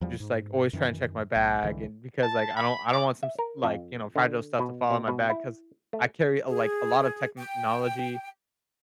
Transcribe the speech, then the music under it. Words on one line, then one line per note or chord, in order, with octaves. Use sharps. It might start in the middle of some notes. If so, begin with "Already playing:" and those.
just, like, always trying to check my bag and because, like, I don't I don't want some s like, you know, fragile stuff to fall out my bag 'cause I carry, like, a lot of technology
E2 F3 G3
G#2
F#2 D#3 E3
B1
C2 D3 E3 G#3
A5
B5
D6
E5
A#4
F2
D3
B2
B2
B2
E4
A3
G#4
G5